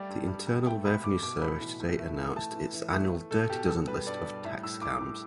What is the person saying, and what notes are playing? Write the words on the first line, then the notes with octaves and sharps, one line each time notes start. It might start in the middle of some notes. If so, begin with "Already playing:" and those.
The Internal Revenue Service today announced its annual Dirty Dozen list of tax scams.
Already playing: G3 A3 D5
G2
G3
G3
A3 G5
B2 B5
B2 D6
B2 D6
A2 B5
E3
A2
A3
E3
A3 A5
E3
E3
A3
A3
B2 A4
B2 G4
G3 A4
G3 B4
G2 D5
G3
A2 E5
A2 E6
A2 D6
A2